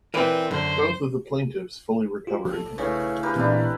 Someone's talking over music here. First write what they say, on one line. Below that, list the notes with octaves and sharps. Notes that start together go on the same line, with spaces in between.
Both of the plaintiffs fully recovered.
E3 C4 A#4 B4 D5
F#2 D3 C5
F4 G4
A4
A2 C#3 B4 C#5
G4 A#4 B4
A#2 E3 C4 D4 E4